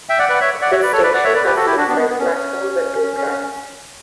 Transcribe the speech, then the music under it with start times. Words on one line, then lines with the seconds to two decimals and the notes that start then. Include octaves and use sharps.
This station has two side platforms and two tracks.
0.09 E5 G5
0.19 D5 F#5
0.29 B4 D5
0.35 F#5
0.40 C#5 E5
0.62 D5 F#5
0.71 C#5 E5
0.82 B4 D5
0.92 A4 C#5
1.03 B4 D5
1.14 D5 F#5
1.24 C#5 E5
1.34 B4 D5
1.45 G4 B4
1.56 F#4 A4
1.66 E4 G4
1.77 D4 F#4
1.88 B3 D4
1.98 B3
2.09 B3
2.19 C#4
3.03 C#4
3.17 C#4
3.30 C#4